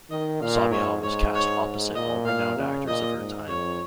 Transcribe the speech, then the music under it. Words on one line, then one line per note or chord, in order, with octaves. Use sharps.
Sabiha was cast opposite all renowned actors of her time.
D#3 D#5
A#2 F5
G#2 C#5
G#2 C#5
C#5
A#2 D#5
F5
C#3
A#2 D#5
G#2
F2 C#5